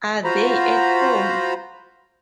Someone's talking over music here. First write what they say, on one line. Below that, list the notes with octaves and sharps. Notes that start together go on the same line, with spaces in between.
Are they at home?
F4 F#4 C5 A#5 B5